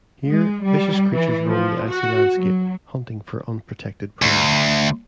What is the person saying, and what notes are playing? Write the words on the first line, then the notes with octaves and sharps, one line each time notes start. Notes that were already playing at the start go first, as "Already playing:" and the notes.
Here, vicious creatures roam the icy landscape, hunting for unprotected prey.
G#3
G3
E3
F3
F#4
F#3
D2